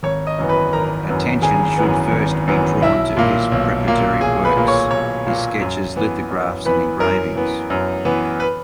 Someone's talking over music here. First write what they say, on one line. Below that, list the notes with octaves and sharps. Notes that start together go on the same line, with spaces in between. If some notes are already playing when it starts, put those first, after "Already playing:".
Attention should first be drawn to his preparatory works: his sketches, lithographs, and engravings.
G#1 C#5 C#6
D#5 D#6
F#2 E3 B3
B4 B5
G#1 A#4 A#5
F#2 E3 B3
G#1 G#4 G#5
F#2 E3 B3
G#1
F#2 E3 B3
B1 E4 E5
A#2 A#3
B1
A#2 A#3
B1 G#4 G#5
B4 B5
A#2 A#3
C#5 C#6
B1 C#5 C#6
A#2 A#3
F#2
E3 B3
F#2
E3 B3 B4 B5
F#2 A#4 A#5
E3 B3
F#2
E3 B3
B4 B5